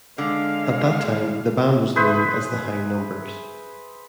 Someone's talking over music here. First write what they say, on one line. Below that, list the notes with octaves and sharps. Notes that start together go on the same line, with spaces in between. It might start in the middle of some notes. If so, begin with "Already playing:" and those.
At that time the band was known as the High Numbers.
D3 G#3 F5
G#4 B4 C5 E5